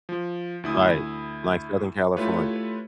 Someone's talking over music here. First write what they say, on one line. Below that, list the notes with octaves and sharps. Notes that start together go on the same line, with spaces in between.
Right, like Southern California.
F3
D2 E4 D#6
A3 E4 F4 G4 B4 C#5